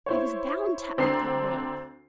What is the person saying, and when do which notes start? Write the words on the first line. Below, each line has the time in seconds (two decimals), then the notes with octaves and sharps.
I was bound to act that way....
0.06 E4 C5 C#5
0.98 D2 C4 D4 A#5 C7